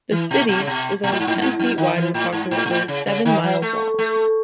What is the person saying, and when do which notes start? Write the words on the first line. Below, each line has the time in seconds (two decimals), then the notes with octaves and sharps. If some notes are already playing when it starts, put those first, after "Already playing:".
The "city" was only ten feet wide and approximately seven miles long.
0.12 E3
0.31 B2
0.49 B2
0.60 C#3
0.67 B2
1.04 B2
1.12 A2
1.20 G#2
1.27 A2
1.35 F#2
1.41 G#2
1.59 F#2
1.78 D#3
1.96 E3
2.14 A2
2.32 G#2
2.51 A2
2.66 B2
2.70 A2
2.88 C#3
3.07 C#3
3.25 D#3
3.44 F#3
3.62 A3
3.99 A3